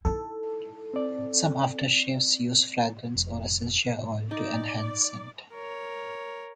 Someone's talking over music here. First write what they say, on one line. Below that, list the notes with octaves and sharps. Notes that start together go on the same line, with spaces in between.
Some aftershaves use fragrance or essential oil to enhance scent.
D#4 E4 A4
C4 D5
F1
D#4 D5
A#4 C#5